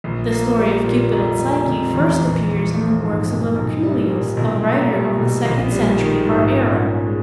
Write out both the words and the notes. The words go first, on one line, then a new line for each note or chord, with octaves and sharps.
The story of Cupid and Psyche first appears in the works of Apuleius, a writer of the second century of our era.
A#1
A#3
G3
A#2
F1
F1
C3
E2
A#1
A#1
F3
G#2
B1
B1
G3
A#2
B1
A#3
G3
B2
A#1
G3
D#3
G#2
A#2
C#4
G#3